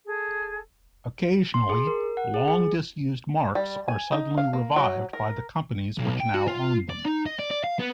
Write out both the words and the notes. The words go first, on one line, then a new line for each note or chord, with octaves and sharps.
Occasionally, long-disused marks are suddenly revived by the companies which now own them.
G#4 A4
C6
G#4
A#4
F#5
G#4
G#4
G3
G#5
D#4
F5
A#3
F#3
A#4
B1
G5
F#4
F4
D5
D#4
D#5
D5
D5
F5
B3